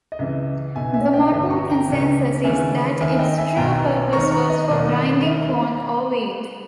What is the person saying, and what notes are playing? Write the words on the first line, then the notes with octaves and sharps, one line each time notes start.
The modern consensus is that its true purpose was for grinding corn or wheat.
D#5
C#2 C#3 E3 E5
B1 B2 E5 G#5
E5 G#5
D#5 G5
G1 G2 E3 E5
A#5 C#6
G5 A#5
C#2 C#3 E3
D#2 C#3 E3 E5 G#5
D#2 D#3 E5 G#5
D#5 G5
E5 G#5
B1 B2 G5 A#5
D#2 D#3 A#5 C#6
A#5 C#6
D#5
E1 D#2 D#3
D#3 E5